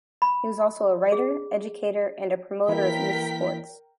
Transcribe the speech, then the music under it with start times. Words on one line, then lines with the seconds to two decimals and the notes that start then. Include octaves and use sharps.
He was also a writer, educator, and a promoter of youth sports.
0.22 B5
1.12 G#4
2.68 E3 A#3 E4 A#4 G5 B6